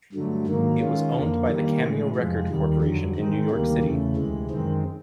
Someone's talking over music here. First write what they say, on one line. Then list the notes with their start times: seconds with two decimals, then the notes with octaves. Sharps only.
It was owned by the Cameo Record Corporation in New York City.
0.12 G2 D3 F#3 A3
0.46 G#2 D#3 F#3 A#3
0.80 D#3 G#3 C#4 F4
1.13 F2 D3 F3 A#3
1.47 D#3 G3 A#3
1.80 A2 E3 G#3
2.15 F2 C3 F3 G#3
2.48 D#2 D#3 G3
2.82 F2 D3 F#3
3.15 D#3 G#3 C4 D#4
3.50 D2 C3 D#3 G3 A#3
3.83 E2 C#3 E3 A3
4.16 D2 C3 E3 G#3
4.50 F#2 D#3 G#3 C4